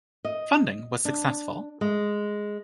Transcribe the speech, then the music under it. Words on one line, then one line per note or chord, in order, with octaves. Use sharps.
Funding was successful.
D#5
D4
G#3